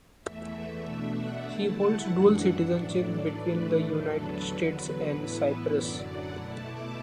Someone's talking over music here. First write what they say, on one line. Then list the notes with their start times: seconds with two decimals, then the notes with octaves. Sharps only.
She holds dual citizenship between the United States and Cyprus.
0.21 E2 E3 A3 E5
0.83 B2 A3 D4
1.13 F#5
1.44 D3 A3 E4 A5
1.74 F#5
2.05 F#2 E3 D4
2.36 E5
2.66 A2 F#3 D4 D5
2.97 A4
3.27 A2 E3 A3 D4 B4
3.88 E2 D3 F#3 D4 A4
4.18 B4
4.50 E2 D3 F#3 B4
4.80 B4
5.10 A2 E3 B3 E4
5.41 B4
5.71 F#2 D3 F#3 D5
6.02 F#5
6.32 B2 A3 E4 A5
6.63 D6